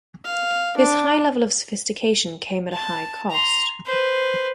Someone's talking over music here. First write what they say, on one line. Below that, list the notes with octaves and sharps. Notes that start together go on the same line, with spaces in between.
This high level of sophistication came at a high cost.
F5
D4
A5
A#5 C6
B4 C5